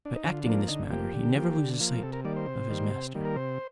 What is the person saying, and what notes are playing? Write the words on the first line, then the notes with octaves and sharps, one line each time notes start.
By acting in this manner, he never loses sight of his master.
D4
D#4
D3 F4
F3 A#3 D4
D3 D#4
F3 A#3 G4
D3
F3 A#3
D3
F3 A#3
C3 A4
A#4
D#3 G3 A#3 D5
C5
C3
D#3 G3 A#3
C3
D#3 G3 A#3
A#4
C3 C5